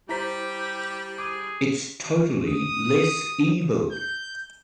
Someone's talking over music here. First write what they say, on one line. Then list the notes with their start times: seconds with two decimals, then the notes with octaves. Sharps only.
It’s totally less evil.
0.09 G3 E4 G4 C5 A#5 B6
1.18 G#4 D6
2.47 D#6
3.91 G6